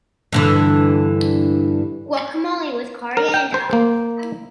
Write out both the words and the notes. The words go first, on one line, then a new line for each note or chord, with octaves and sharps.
Guacamole with coriander.
G2 D3 E3
A#4
G5
C5
A#3